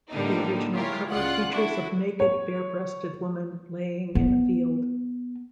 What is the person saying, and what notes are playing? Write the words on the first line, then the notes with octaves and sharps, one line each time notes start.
The original cover features a naked, bare-breasted woman laying in a field.
A2 D3 G3 A#3 D4 D#4
G#3 E4 F4 G4 A#4 C#5
C#2 F4 D5 F#5 F#6
D4 E4 F#4
C#5
B3